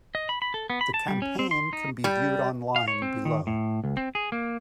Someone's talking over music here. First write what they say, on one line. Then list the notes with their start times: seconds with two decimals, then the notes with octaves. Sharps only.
The campaign can be viewed online below.
0.15 D#5
0.29 B5
0.42 B5
0.54 A4
0.70 B3
0.81 B5
0.94 A5
1.08 G3
1.22 C#4
1.39 C4
1.51 C6
1.73 D#4
2.04 G3
2.76 F5
2.88 C#5
3.02 C4
3.25 D#3
3.47 A2
3.84 C#2
3.97 C4
4.15 G#4
4.32 A#3